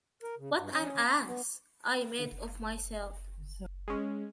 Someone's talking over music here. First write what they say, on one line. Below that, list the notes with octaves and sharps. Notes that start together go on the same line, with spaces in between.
What an ass I made of myself!
A#4
C#3
G2
C#4
A#5
B3
F#1
G#3 C#4